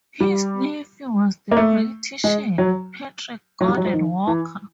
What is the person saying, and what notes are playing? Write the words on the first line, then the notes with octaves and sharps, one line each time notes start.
His nephew was the politician Patrick Gordon Walker.
G3
A#3
A3
G#3
F#3
F#3
G3
F#3
F3
D#3
E3